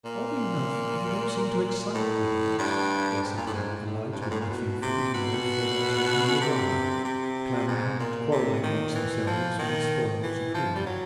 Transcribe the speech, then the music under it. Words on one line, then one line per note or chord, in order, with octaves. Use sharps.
Oddly enough, they don't seem to excite the dogs; they simply alight within a few feet and wait for their turn in the drama, clamouring and quarrelling amongst themselves when the spoils accrue.
A#2
A2
G2
G#2
A#2
A2
G#2
A2
G2
G#2
A2
A#2
B2
C3
B2
C3
C3
G#2
A#2
C3
D#3
E3
F3
D#3
E3
F3
G3
F#3